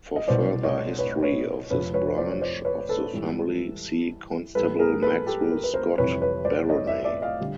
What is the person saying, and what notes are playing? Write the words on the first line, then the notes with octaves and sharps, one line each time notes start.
For further history of this branch of the family, see Constable Maxwell-Scott baronets.
D#5
C2 B2 G3 C5 D5
C#5 D#5
B4 C#5
B4 C#5
F2 C3 F3 B4 C#5
B4 C#5
C5 D5
C#5
C5 D5
B4 C#5
A4 B4
G#2 E3 G3
A2 E3 G3 A4 B4
G#4 A#4
A4 B4
G4 A4
A4
A#4
B4
A#4 C5
F2 C3 E3 G3 B4 C#5
B4 C#5
C5 D5
C#5 D#5
D5 E5
D5 E5
D#5 F5
D3 G3